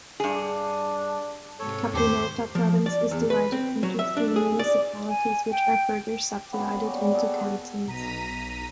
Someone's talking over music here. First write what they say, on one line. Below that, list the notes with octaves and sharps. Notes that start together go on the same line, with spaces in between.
Capinota Province is divided into three municipalities which are further subdivided into cantons.
G2 D4 G#4
G#2 C3 A4 C#5
E2 G2 D#3 G4 C5
F3
D5
E2
B4
C4
F#3
E5
D4
G#4
D5
G#5
G5
G4
F#3 A#3 B3 C#4
F#4 D5 G#5 C#6
G3
F#4 G#4 A4
F#4 G#4
B1 A#5 B6 D#7